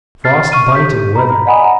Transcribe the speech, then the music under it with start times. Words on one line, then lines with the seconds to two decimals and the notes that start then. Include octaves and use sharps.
Frostbiting weather!
0.24 F6 A6 C7
0.52 C#6 F6 D#7
0.75 G4 G6 B6
1.16 A#5 B5
1.46 D5 D#5 F#5 G#5 B5 D#6
1.64 A#5